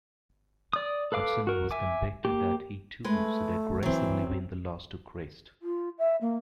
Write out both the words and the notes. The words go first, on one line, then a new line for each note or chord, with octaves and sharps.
Hutson was convicted that he too should aggressively win the lost to Christ.
D5 D#6
A4 B4 F5 D6
F#4 A#4
E5 G#5 D6
A#3 G4
G#3 A3 B4
E3 F#3 C4
F4
E5
A#3